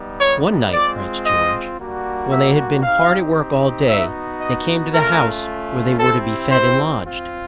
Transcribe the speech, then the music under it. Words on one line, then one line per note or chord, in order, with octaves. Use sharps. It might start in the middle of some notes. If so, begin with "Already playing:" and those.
One night, writes George, when they had been hard at work all day, they came to the house where they were to be fed and lodged.
Already playing: G3 B3 D#4
C#5
G#3 C4 F4 D5
D#5
G3 A#3 D4 F#4
E5
C4 D#4 G4 F5
B3 D#4 F#4 E5
D#5
A3 C#4 F4 A#4
C4 E4 G4 A4
C5
C4 F4